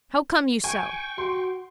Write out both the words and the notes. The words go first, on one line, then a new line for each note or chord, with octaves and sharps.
How come you so?
G5 G#5 C#6
F#4 C6